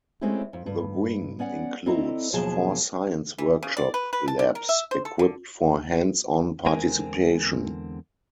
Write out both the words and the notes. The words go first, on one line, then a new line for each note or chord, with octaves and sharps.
The wing includes four science-workshop labs equipped for "hands-on participation".
G#3 A3 C4 C#4 E4 G4
F2
G2
B3 C#4 D5 F#5
C4 E4 A4 D5 D#5 A#5
D#2 B2 F3 F#3 G#4 A5
E3
C#3
D5
B4
B4
A5
D4
A#4
E5
C5
A4
D3
E2 D3 G#3 C4 A#4 G#5